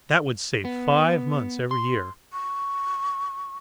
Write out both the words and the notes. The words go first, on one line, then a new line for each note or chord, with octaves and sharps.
That would save five months every year.
B3
C6
C#6